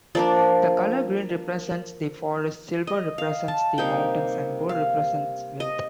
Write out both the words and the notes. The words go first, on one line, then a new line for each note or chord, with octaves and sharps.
The colour green represents the forests, silver represents the mountains, and gold represents wealth.
F3 A#3 D4 D5
D#5
F5
A5
C3 G3 A#3 D#4 G5
F5
D#5